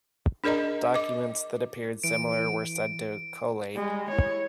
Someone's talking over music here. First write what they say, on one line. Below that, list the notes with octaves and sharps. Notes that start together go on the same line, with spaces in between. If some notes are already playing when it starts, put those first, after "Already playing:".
Documents that appeared similar were said to "collate".
D4 G#4 A#4 D5 D#5 A#5
D#5 D6
E3 D7
G3 G#3
E4 C#5